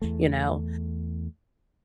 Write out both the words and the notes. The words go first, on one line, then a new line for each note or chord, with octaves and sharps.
you know,
E2 A3